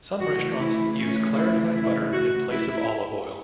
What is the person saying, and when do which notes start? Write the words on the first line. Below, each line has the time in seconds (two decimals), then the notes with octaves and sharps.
Some restaurants use clarified butter in place of olive oil.
0.20 C#3 E3 A3 C#4 F#4
0.59 E4
0.98 C#4
1.35 E4
1.75 E4
2.12 F#4
2.51 E4